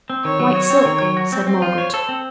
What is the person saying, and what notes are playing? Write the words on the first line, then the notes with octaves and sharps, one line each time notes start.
'White silk,' said Margaret.
C4
D#3 C#5
F#3
F#4
C4
D#3
F#3
F#4
C4
C4 C5
F4
C#5
A4
C4